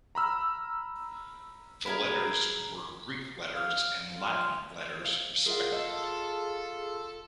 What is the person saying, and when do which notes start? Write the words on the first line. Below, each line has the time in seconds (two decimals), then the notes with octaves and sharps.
The letters were Greek letters and Latin letters, respectively.
0.15 A#5 B5 E6 F6
1.86 G#4 A#4 B5
3.55 F5
4.20 F4
5.00 C5 F5
5.46 F4 G#4 A#4 E5 F#5
5.72 A4 D#5